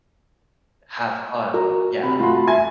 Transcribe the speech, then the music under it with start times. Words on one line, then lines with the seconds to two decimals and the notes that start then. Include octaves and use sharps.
have fun yeah.
1.54 F#4 A#4 A#5
2.03 C3 B5
2.19 A3 F4 F#4 B5 C6
2.47 E5 G#5 G#6